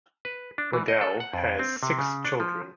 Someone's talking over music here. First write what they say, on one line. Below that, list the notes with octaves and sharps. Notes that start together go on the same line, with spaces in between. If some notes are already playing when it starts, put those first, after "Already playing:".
Waddell has six children.
B4
D4
E3
D#5
A4
F#5
F2
C4
C3
C#3
D4
F3